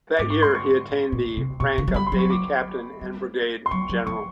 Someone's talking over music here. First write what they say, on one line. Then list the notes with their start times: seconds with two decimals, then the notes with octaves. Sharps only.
That year he attained the rank of Navy Captain and Brigade General.
0.19 G#2 D6
0.30 C#6
0.43 C6
0.55 C#6
0.90 A2
1.12 A#2
1.37 C3
1.60 B2 C#6
1.78 D3
1.88 F#3
1.94 G3 B5
2.07 C6
2.12 F#3
2.19 C#6
2.30 D6
3.01 G3
3.66 C6
3.71 F#3 C#6
3.89 F#3
4.07 F3 C#6